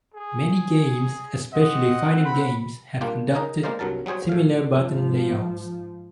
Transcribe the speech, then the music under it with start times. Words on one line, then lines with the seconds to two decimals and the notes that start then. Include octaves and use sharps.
Many games, especially fighting games, have adopted similar button layouts.
0.14 G#4
1.52 C4 D#5 F#5
2.25 B5
3.01 G3 A#3 D4 F4 G4
3.35 D#4 G#4 A#4
3.63 G#3 A#3 A#4 C5 D5 F5
3.79 C2 G2 F#3 A#4 A5
4.06 F#3 G3 G#4 C5 C#5
4.29 A2 F5
4.75 G#2 F3